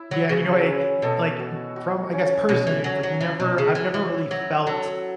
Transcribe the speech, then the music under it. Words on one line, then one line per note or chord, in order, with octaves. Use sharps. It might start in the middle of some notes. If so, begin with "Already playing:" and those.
Yeah, and, you know, why I e like, from I guess, personally, it's like you never I've never really felt,
Already playing: E4 E5
F#3
C#3 F#4
C#4
B2 A4
F#4
F#4
C#4
B2 C#4
E3
F#3 C#4
F#3
E3 E4
B2
C#3 E4
E3
E3 C#5
F#3 E5
F#3 A4